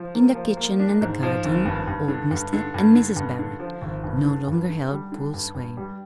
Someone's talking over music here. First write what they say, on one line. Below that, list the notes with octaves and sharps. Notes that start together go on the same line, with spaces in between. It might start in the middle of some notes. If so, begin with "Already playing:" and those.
In the kitchen and the garden old Mr. and Mrs. Barrett no longer held full sway.
Already playing: F3
A#3
F3
A#3
D4
G#2
F3
G#1
G2
G2
D3
G2
D3
G2
D3
G2
D3
F3
G#1
G2
D3
G2
D3
G3
D3
G2
G2
G3